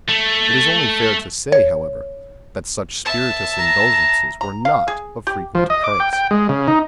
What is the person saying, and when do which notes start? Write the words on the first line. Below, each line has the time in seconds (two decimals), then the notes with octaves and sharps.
It is only fair to say, however, that such spirituous indulgences were not of frequent occurrence.
0.09 A3
1.52 C#5
3.05 E5 A5
3.59 A#5
4.41 A#5
4.65 F5
4.88 G#4
5.27 G4
5.55 F3
5.70 D#5
5.84 D6
6.00 G5
6.13 G5
6.31 G#3
6.49 C#3
6.68 D#4